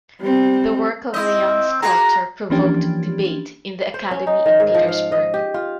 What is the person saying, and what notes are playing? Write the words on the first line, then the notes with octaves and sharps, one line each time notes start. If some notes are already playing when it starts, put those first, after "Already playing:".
The work of the young sculptor provoked debate in the Academy in Petersburg.
G3 C4
C4 E4 D#5
A#3 F#4 G#4 A#5
E3 F3 A#3 C#4 D4 G4
C5
C#4
D#4
D#3
G#2
F3
F5
D#5
G4
F4